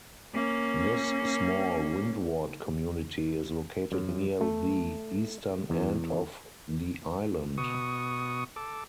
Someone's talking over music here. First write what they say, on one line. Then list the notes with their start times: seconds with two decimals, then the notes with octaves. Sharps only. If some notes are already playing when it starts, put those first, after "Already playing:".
This small windward community is located near the eastern end of the island.
0.34 A#3 C#4
3.92 F#2
4.41 A3
5.70 E2
7.58 B2 C#6 D#6
8.56 A4 D6